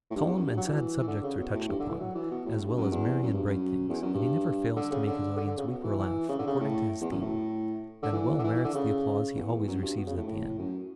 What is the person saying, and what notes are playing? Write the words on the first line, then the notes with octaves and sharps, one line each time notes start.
Solemn and sad subjects are touched upon, as well as merry and bright things, and he never fails to make his audience weep or laugh, according to his theme, and well merits the applause he always receives at the end.
A2
G2
E2
F#2
G2
F#3
E3
E3
D3
C#3
B2
A2
G2
D3
E3
F#3
E3
B2
A2
G2
F#2
E2
F#2
G2
F#2
E2
F#2
G2
D3
C#3
D3
D3
D3
C#3
B2
E3
E3
C#3
D3
C#3
A2
E2
F#2
A2
D3
E3
D3
E3
E3
D3
C#3
E2
F#2
G2
B2
C#3
A2
A2
F#2